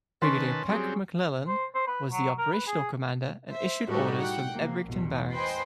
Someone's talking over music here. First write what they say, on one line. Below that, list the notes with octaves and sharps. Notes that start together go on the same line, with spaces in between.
Brigadier Pat MacLellan was the operational commander and issued orders from Ebrington Barracks.
D#3 C#4 B4 A5 C6
F#3 G3 C4 G#4
C5
C5
B4
F#3
A#4
B4
G#4
C5 E5
A2 G3 D#4 F#4 G4 A4
F#5 G5
C3 F3 A#3
A1 E2 B2
B4 C5 D#5 G5 G#5